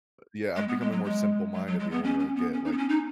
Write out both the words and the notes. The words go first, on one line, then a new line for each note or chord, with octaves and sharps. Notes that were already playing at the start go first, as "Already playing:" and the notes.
yeah, I'm becoming more simple minded the older I get, like
G#3
B3
G#3
F#3
G#3
F#3
F#3
G#3
B3
C#4
C#4
B3
C#4
D#4
B3
C#4
D#4